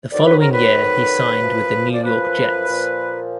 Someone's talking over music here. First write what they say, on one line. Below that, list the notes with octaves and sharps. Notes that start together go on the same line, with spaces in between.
The following year, he signed with the New York Jets.
F2 D#3 F#3 D5
B4
A#4
B4
F#2 F3
D5
B4
A#2 F3